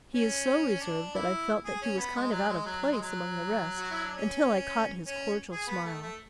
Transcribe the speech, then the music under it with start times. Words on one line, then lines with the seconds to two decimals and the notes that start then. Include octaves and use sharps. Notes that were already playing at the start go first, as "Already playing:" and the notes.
He is so reserved that I felt that he was kind of out of place among the rest until I caught his cordial smile.
0.14 C#4
0.80 D4
1.15 E4
1.65 G#4
1.82 C#4
1.98 B3
2.16 G#3
2.32 F#3
2.49 G#3
2.66 F#3
2.82 F#3
2.92 G#3
3.01 F#3
3.78 F#4
3.91 E4
4.04 D4
4.17 C#4
5.06 C#4
5.51 G#4
5.68 B3
5.85 A3
6.02 A3